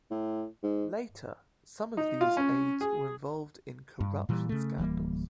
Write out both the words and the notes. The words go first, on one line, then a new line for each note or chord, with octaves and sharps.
Later, some of these aides were involved in corruption scandals.
A2
G#2
D#4
F4
C#4
G#4
G2
A#2 E3 G3
C#3 A3
D1 E3 G3 A#3